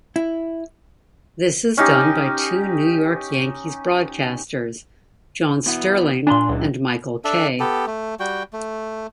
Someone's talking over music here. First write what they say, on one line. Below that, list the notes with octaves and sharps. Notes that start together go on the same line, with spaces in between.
This is done by two New York Yankees broadcasters: John Sterling and Michael Kay.
E4
C#4 D#4 G4
B2 E3 B3
A#2 D4 G#5 A#5 C6
C#2 F#2 E3
D4 A4 E5
B3 G4 A4
A3
G3 F#4 G5
A3